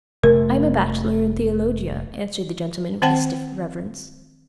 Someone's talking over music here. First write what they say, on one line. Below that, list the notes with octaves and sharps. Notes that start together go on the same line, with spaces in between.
"I am a Bachelor in Theologia," answered the gentleman with a stiff reverence.
F1 C3 A3 A#4
D#3 C4 C5 F#5 G5 A5